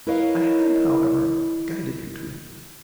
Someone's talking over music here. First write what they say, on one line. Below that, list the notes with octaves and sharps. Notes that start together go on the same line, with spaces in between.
I have, however, guided you to him.
E4 A#4 B4 C#5 D#5 F5